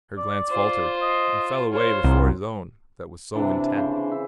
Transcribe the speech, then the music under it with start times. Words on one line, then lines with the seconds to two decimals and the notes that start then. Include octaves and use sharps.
Her glance faltered, and fell away before his own that was so intent.
0.17 D5
0.49 F4 C5
1.02 D#5
1.72 F4 C5 C#5
2.04 C2
3.35 C3 E3 D4
3.76 C#3 C5
4.11 E5